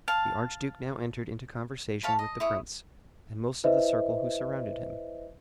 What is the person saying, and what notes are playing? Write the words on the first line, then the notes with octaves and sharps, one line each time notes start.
The archduke now entered into conversation with the prince, and most of the circle who surrounded him.
F5 A5
C#5 F5 A5 B5
D#5
E4 C#5 D#6
E4 B4 C5 D#5 E5